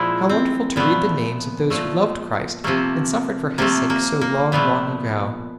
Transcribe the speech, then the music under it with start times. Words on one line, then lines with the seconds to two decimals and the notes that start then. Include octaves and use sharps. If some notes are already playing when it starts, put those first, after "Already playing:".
How wonderful to read the names of those who loved Christ and suffered for His sake so long, long ago!
Already playing: A#2 F3 G#3 E4
0.29 C4
0.76 A#2 F3 A3 B3
1.70 A#2 F3 A3
2.64 C3 F3 A3 A#3
3.58 C3 F3 A3 A#3
3.90 A#3
4.21 A#3
4.52 A#2 F3 A3 B3